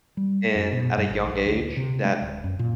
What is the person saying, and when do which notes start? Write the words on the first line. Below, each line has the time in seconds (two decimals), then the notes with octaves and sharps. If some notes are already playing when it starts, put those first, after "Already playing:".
And at a young age, that
0.17 G3
0.55 F#2
0.72 B2
0.97 G2
1.10 G#1
1.27 A#1
1.45 D2
1.77 C3
2.05 G#3
2.22 D1
2.44 F#2
2.59 A#2